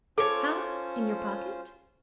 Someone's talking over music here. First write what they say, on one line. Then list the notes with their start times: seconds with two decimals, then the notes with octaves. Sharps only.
"How--in your pocket?"
0.18 C#4 F4 A4 C5 C#5 D6